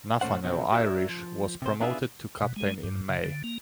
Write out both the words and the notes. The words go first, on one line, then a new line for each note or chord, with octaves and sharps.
Nathaniel Irish was promoted to captain in May.
A#2 A3 C#4 C5 F#5
B2 D3 F3 F#3 B3 C4
F#4 A#4 D5 E5
F3
C3 C5
B3 D4 F4 G#4 B4 E5
B2
G#3
G2
C#3
D3
A#3